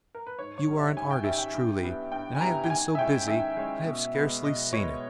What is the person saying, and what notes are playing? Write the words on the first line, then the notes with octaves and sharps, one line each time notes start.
You are an artist, truly, and I have been so busy I have scarcely seen it.
A#4
B4
G#2 C#5
C#5
D#3 G3 C#4
E5
G#2 G#5
G5
D#3 G3 C#4 E5
G5
G2
G3 B3 E4
G2 G5
G#5
G3 B3 E4 A#5
G5
D#3 G#5
E5
G#3 C#4 E4 G5
D#3 E5
G#3 C#4 E4
B2
G#3 B3
B2 D#5
G#3 B3 C#5